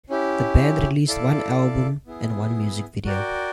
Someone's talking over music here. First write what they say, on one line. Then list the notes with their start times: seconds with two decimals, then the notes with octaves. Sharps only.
The band released one album and one music video.
0.10 C#4 E4 G4
1.08 E4 A4 D5 F5
2.06 B3 E4 G#4
3.05 F#4 A#4 D5 G5